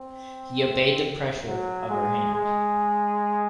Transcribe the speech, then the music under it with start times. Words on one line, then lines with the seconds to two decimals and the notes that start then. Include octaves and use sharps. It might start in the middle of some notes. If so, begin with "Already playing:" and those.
He obeyed the pressure of her hand.
Already playing: C4
1.46 F#3
1.90 G#3
2.34 G#3